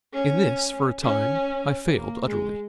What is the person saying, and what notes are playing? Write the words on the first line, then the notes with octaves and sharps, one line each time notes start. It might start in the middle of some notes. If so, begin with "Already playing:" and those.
In this, for a time, I failed utterly.
C#4
C#4
A#3
G#3